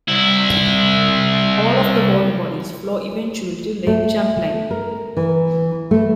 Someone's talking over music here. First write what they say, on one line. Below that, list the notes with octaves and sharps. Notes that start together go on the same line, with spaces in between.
All of the water bodies flow eventually to Lake Champlain.
C2 E4
A3
A#4
E3
A3